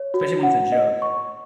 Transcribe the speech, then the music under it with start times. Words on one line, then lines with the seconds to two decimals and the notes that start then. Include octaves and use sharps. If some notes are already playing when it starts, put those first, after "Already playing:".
especially when it's a joke.
Already playing: C#5
0.14 F#4
0.43 F#5
0.72 D#5
1.02 C#6